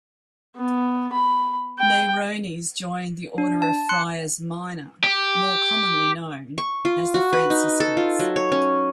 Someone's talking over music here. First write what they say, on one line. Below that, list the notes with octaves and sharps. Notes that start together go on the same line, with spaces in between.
Meyronnes joined the Order of Friars Minor, more commonly known as the Franciscans.
B3
B5
G5
D4
A5
C6 F#6 C#7
G4
C#6
F4
F#4
B4
D#4
A4
F4
F#3
C#5
C#4